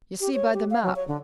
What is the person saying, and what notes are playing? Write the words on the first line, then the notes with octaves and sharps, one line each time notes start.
You see by the map.
G4
C#5
G4
F5
F#3
C#5
D3